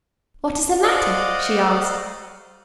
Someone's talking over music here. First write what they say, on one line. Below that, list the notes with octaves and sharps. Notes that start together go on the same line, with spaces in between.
"What is the matter?" she asked.
C5 D5 D#5 F5 F#5